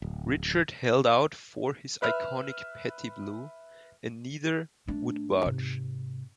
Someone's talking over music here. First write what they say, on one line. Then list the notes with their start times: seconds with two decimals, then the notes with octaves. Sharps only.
Richard held out for his iconic Petty blue, and neither would budge.
0.02 D1
2.02 B4 E5 F6
4.87 A3 D4
5.44 G#2 C3